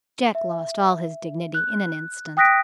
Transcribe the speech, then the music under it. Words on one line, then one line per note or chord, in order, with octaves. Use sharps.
Jack lost all his dignity in an instant.
E5
F#6
G5 D#6 F#6 A#6 B6 D7